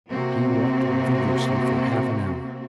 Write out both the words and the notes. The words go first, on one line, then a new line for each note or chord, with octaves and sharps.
He walked vigorously for half an hour.
C3 A#3 C4 F#4